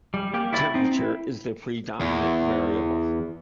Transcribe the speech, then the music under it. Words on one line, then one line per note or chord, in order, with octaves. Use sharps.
Temperature is the predominant variable.
G3
G3 A#3 G4
E4 F#4 D5 B5
C4 D#4
E4
E2